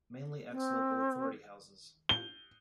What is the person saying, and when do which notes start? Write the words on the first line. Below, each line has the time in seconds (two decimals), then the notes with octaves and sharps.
Mainly ex-local authority houses.
0.50 C4
2.09 G7